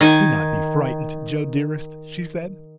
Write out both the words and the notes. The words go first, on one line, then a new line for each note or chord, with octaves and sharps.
"Do not be frightened, Joe dearest," she said.
D#3 G#5